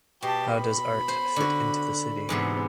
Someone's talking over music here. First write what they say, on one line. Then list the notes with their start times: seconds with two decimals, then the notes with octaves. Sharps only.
How does art fit into the city?
0.23 B2 G4 A5
0.54 B5
1.08 C5
1.36 D3 F#4
2.29 E2 G#2 C3 B3